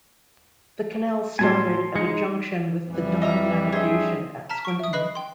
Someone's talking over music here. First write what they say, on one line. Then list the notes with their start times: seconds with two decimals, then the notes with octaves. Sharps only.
The canal started at a junction with the Don Navigation at Swinton.
1.39 A2 F#3 G#5 A5 C6
1.96 G#3 D#4 C#7
2.91 F2 E3 G3
3.22 D#5 E5 A#5
3.72 D4 G#4 C5 D#5 E5
4.50 A5 A#5 F6 B6
4.65 C#6 D7
4.79 E5 D#6
4.93 B4 D#5 B5 F#6 C7
5.15 G5 C6